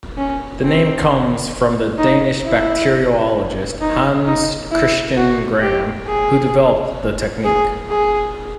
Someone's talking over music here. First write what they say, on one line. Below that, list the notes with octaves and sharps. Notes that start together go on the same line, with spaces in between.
The name comes from the Danish bacteriologist Hans Christian Gram, who developed the technique.
C#4
C4
D#4
E4
D#4
D#4
E4
F#4
G4
G#4
G#4
G#4